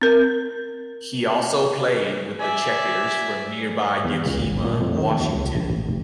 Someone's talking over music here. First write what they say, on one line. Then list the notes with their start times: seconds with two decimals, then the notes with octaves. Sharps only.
He also played with the Checkers from nearby Yakima, Washington.
0.01 C4 A#4
2.39 D5 E5 G#5
4.05 E2
4.26 C#2
4.43 G#1
4.65 A#2
4.81 F2
4.97 D#3
5.20 D#2
5.32 C#2
5.55 A#1
5.70 A1
5.89 F1